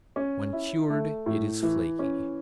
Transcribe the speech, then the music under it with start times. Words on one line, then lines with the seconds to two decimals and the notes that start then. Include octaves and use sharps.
When cured it is flaky.
0.16 C#4
0.53 E4
0.89 A3
1.26 A2
1.63 E3
1.99 C#4